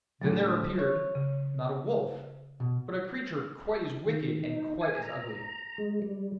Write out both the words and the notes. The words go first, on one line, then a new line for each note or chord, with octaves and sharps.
Then there appeared, not a wolf, but a creature quite as wicked and quite as ugly.
D2 A2 D3 F#3 A4
C5 C#5
C#3
B2
D#3
D#4
G#5
A#5
G#3
G3